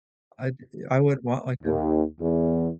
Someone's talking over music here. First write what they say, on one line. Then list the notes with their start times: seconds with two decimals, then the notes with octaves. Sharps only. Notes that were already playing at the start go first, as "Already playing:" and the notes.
I I would want, like, a
1.64 D#2
2.20 E2